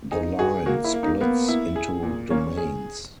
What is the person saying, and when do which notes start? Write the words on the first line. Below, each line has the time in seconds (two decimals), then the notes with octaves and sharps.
The line splits into domains.
0.11 D#4 G#4
0.39 F#4 G#4
0.66 A#3 F#4
0.84 E4
0.94 A#3
1.03 D#4
1.21 A#3 B3
1.48 E4
1.76 G#4
2.03 A#2
2.30 A#3 C#4
2.57 G#4